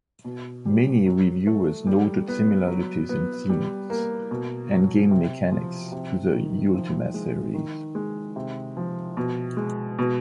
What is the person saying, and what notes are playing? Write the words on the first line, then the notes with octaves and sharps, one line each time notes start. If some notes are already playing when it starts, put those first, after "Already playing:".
Many reviewers noted similarities in themes and game mechanics to the "Ultima" series.
B2
G3
F#3
A3
G3
B3
F#3
B3
G3
A#3
B2
F#3
C3
F3
C3
D#3
F3
G#3
D#3
G#3
C3
F3
B2
G#3
B2